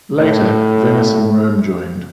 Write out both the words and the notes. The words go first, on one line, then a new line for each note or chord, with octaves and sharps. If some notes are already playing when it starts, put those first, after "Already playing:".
Later, Venice and Rome joined.
A2